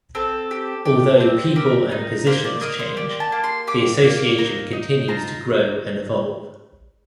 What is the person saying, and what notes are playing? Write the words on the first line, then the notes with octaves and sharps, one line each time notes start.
Although people and positions change, the Association continues to grow and evolve.
C4 A4
G4
G4
C4
G4 A#4
D#4
A#3 C5
D5
A#3 D#5
C5
G4 D5
A5
A#3
C6
G4 D6
A#3
D#4
D#4
F4 A#5